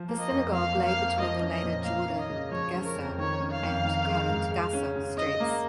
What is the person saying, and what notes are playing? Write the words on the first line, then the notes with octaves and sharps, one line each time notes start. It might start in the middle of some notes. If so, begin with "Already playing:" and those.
The synagogue lay between the later Jordangasse and Kurrentgasse streets.
Already playing: F3
A#3
D#5
F2
F3 F5
A#3
F5
F2
F3 D#5
C#4
D#5
A#2
A#3 F5
C#4
D#5
C#3
F3 C#5
C#4
A#4
F2
D#3 C#5
C#4
F5
F2
D#3
G#3
G#2
G#3
C#4
C#3
C#3 D#5
A#3